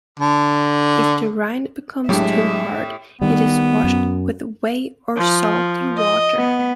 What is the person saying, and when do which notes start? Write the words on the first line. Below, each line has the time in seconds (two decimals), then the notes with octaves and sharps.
If the rind becomes too hard, it is washed with whey or salty water.
0.20 D3
2.09 A2 F#3 G#3 D4 G4 E5
3.22 D#3 G3 B3
3.84 F#2
5.16 F3
5.97 D#5
6.36 B3